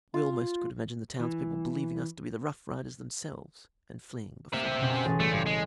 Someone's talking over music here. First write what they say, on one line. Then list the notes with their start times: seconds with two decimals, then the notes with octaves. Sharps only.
We almost could imagine the townspeople believing us to be the Rough Riders themselves and fleeing before us.
0.14 F4
1.20 E3
4.54 A#3 C4 E5
4.78 F#1 B2 C#4
5.05 A1 G#4 A6
5.20 G3 A3
5.32 G2
5.46 G#3